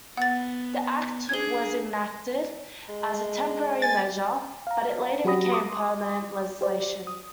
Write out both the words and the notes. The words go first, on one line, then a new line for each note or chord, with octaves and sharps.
The act was enacted as a temporary measure, but it later became permanent legislation.
B3 F#5 A6
D4 G#4 G#6 G7
G#3
G#5 A6
F5 A#5
F#3 F#4 G4 B5 D#6 A#6
C6 D6 D#6
G4 C5 D5
D#6